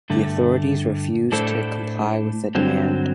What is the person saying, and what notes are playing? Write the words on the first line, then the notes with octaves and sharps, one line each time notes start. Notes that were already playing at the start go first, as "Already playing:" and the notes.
The authorities refuse to comply with the demand.
G2 D3 A3
A2 A3 D4 A4 C5
G2 D3 F#3 C4